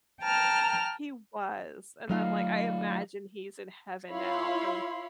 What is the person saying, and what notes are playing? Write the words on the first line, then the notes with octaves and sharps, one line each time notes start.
He was, and, I'm, like I imagine he's in heaven now, and
G5 A5 A#5 F6
F#3 A3 D#4 F4 F5
E4 F4 C#5 F5 B5 C6